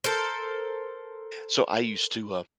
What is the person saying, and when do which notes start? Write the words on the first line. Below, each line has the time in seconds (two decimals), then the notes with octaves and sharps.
So I used to, um
0.04 A4 A#4 C5